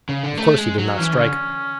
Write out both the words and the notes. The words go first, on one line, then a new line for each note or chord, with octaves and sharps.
Of course he did not strike.
C#3
D3
A3
G#3
F#3
E3 C#4
D3